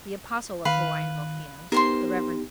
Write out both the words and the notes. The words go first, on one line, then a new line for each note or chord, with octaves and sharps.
The Apostle of Hawaiian volcanoes, the Rev.
D#3 B4 F5 B5
B3 D#4 G4 A#4 C5 C6